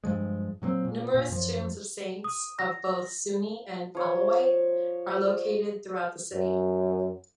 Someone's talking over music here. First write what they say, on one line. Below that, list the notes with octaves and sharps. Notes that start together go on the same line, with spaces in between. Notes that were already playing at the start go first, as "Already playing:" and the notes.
Numerous tombs of saints, of both Sunni and Alawite, are located throughout the city.
G2 F3 G#3
A#2 F#3 G3 C4
A#2
A#2
F#2 F3
D#6
A#6
F3 C#5
F#2